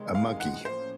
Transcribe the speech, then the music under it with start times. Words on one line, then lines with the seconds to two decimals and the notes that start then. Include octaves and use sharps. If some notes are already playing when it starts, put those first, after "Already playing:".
a monkey,
Already playing: C3 D#3 G#3
0.15 F5
0.40 F#5
0.65 A2 F3 A#3 C#4 C5